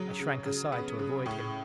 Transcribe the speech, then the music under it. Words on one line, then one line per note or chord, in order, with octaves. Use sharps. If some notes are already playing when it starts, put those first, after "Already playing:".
I shrank aside to avoid him.
Already playing: C#3 F#3
C#3
C#3
B3
C#3
A2